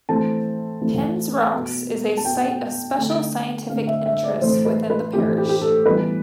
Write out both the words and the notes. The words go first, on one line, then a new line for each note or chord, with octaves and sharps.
Penn's Rocks is a Site of Special Scientific Interest within the parish.
E3 A3 C4 A5
E3 A3 C4
B2 B3
A5
B2 B3 G5
D3 A3 C4
D3 A3 C4 F5
E5
E5
D5
A2 E3 A3 C4 C5
B4
B4
A2 E3 A3 C4 G4
G4
G4
A4
E3 G3 B3 B4